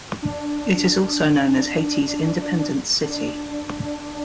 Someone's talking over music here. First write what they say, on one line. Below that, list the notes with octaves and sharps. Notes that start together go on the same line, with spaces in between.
It is also known as Haiti's "independence city".
D4
D4